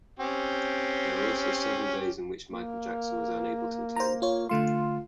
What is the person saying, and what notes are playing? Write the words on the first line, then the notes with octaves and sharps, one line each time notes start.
There were also several days in which Michael Jackson was unable to attend.
C4 C#4 G4
A#3
C5 A#5
F4 C#5
D3 A3 F4 C6